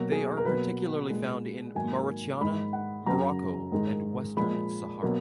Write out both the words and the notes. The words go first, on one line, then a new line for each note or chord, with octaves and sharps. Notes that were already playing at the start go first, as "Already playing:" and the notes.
They are particularly found in Mauritania, Morocco and Western Sahara.
Already playing: B2 F#3 A#3 F#4
G#4
A#4
B2 F#3 A#3 B4
A#2 G#3
G#2 D#3 F#3 A#3 G#5
G#2 D#3 G#3 B5
F#5
F#2 C#3 F#3 A#5
G#2 D#3 G#3
A#2 F3 G#3 B5
B2 F#3 A#3